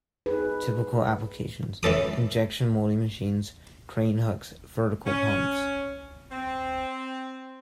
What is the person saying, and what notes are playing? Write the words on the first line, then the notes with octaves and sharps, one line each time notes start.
Typical applications: injection molding machines, crane hooks, vertical pumps.
D#4 G#4 B4
E3 C#4 A4 D#6
C#4
C4